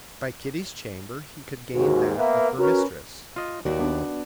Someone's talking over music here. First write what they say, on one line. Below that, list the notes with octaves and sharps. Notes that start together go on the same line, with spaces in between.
By Kitty's chamber he could gain that of her mistress.
D#2 G#2 F#4
A#3 B3 E5
C#4 F#4 A#4 B4
F4 D#5
D#2 F#4 D5
B3 D4